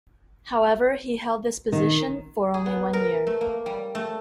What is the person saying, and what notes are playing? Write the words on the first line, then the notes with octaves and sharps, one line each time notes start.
However, he held this position for only one year.
D#3
G#4
B3
A#4
A3
A#3
G3
A3